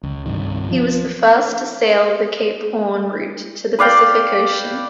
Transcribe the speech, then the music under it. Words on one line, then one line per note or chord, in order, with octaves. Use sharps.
He was the first to sail the Cape Horn route to the Pacific Ocean.
C#2
C2 G2 D#3
F3
B4 D5 F5 G5